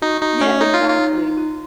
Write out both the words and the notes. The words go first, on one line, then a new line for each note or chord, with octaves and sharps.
Yeah, exactly.
D#4 F#4
D#4 F#4
A3 C#4
D#4 C#5
F4
D#4
F4
D#4
F4
F4